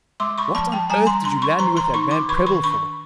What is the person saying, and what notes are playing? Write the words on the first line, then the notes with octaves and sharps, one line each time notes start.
'What on earth did you land me with that man Prebble for?'
G#3 C6 D6
B5 C#6
F3 A5 B5
G5 A5
G3 G#5 A#5
A#5 C6
D4 A#5 C6
B5 C#6
E3 A#5 C6
A#5 C6
D#4 B5 C#6
C6 D6
D#3 B5 C#6
B5 C#6
D4 B5 C#6